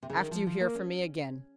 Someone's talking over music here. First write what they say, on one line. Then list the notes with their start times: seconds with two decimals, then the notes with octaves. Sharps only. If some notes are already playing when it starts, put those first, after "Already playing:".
After you hear from me again.
0.03 C3
0.10 C#3
0.17 D#3
0.31 F3
0.47 F3
0.60 A#3
0.75 C#4